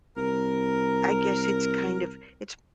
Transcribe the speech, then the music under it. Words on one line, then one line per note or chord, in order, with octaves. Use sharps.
I guess it's kind of, it's
C2 A#4